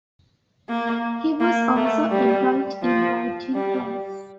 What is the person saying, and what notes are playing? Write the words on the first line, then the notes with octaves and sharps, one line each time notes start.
He was also employed in writing plays.
A#3
A#3
A3
G3
F3
G3